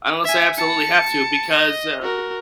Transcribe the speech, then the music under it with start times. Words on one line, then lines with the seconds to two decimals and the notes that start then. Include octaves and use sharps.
unless I absolutely have to, because, uh
0.24 E5 G#5
0.57 A5 C#7
1.53 D#5
2.02 F#4 A#4